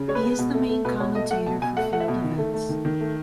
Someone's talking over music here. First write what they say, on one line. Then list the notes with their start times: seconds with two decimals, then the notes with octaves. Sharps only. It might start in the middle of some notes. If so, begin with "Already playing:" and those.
He is the main commentator for field events.
Already playing: C#3
0.08 G#3 C#5
0.15 B4
0.23 B3
0.38 B2
0.54 A3
0.69 A3
0.85 B2 B4
1.00 B2 C#5
1.15 A3 D#5
1.31 A3 F#5
1.46 B2 A5
1.62 B2 G#5
1.77 A3 F#5
1.93 A3 F#5
2.00 E5
2.08 B2
2.23 D#3
2.38 A3
2.54 A3
2.69 D#3
2.85 D#3
3.00 A3